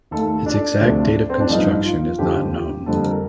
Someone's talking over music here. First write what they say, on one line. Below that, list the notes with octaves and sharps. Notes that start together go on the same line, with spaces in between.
Its exact date of construction is not known.
D#2 D#3 A3 A4
D4
D2 C3 F3 A3
C4
D4
A1 G2 F3 D#4
F4
D#2 D3 F3 G4
F2 D3 G3 A4
A#4